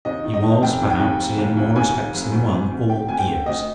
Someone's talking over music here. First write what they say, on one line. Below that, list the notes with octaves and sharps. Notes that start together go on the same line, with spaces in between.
He was, perhaps, in more respects than one, all ears.
D#2 D#5
D#3
D#5
D#3
F1 G5
D#2
G5
D#2
F1
D#2
D#2
D#2 G#5
D#2
F1
D2
D2
D2
D3 G5
D2 G#5
G5
D3
D2 D#5